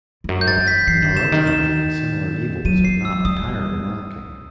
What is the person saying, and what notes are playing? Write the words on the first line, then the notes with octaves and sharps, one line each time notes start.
But in our own country similar evils are not entirely lacking.
E2
F#2
G6
A6
E3
B6
E3 C7
D#3
C3 E7
D#3
E7
F#3 D#7
C7
E6
G3 D#6